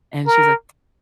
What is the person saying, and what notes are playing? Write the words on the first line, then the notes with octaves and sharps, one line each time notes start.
and she's like
A#4